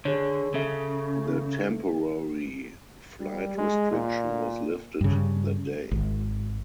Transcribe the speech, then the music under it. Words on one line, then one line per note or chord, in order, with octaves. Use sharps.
The Temporary Flight Restriction was lifted that day.
D3 G#4 C#5
C#3 A4 E5
G3
G#3
A#2
G2 C#3
G#1